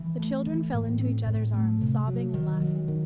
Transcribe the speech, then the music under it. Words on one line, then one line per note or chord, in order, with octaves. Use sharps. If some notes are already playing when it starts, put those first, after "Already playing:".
The children fell into each other's arms, sobbing and laughing.
Already playing: E3
A3
E3
A2
C4
A2
A3
C3
F#3
D#3
F#3
D#3